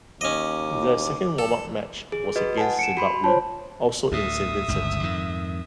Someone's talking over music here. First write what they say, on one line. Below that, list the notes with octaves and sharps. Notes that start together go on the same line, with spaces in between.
Their second warm-up match was against Zimbabwe, also in Saint Vincent.
D#2 C#4 D#5 D6
A4
G#4
F#4 B4 D#5
F#5 G#5 A5
C#7 D7 E7
F#4 B5 C6
F4 C5 C#5 A5
D2 A2 E5 D#6
G1 C#2 G2
F2 G#2 D#3